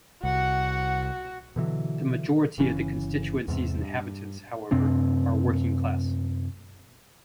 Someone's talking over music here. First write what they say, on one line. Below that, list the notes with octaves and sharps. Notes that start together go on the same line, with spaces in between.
The majority of the constituency's inhabitants, however, are working-class.
C2 F#4 F#5
B2 D3 E3 F#3
G1 C#3 E3 C#4
E2 G#2 C3
G2
F#2 C3 C4 D4